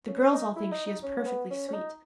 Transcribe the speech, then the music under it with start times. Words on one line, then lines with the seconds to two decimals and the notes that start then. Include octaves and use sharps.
The girls all think she is perfectly sweet.
0.08 C#4
0.32 D#4
0.56 E4
0.72 D#4
0.87 D#4
1.03 C#4
1.19 C#4
1.27 B3
1.50 C#4
1.68 C#4
1.74 D#4